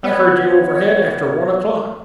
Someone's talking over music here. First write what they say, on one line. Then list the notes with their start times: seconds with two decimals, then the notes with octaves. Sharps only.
"I heard you overhead after one o'clock."
0.04 B3 C#5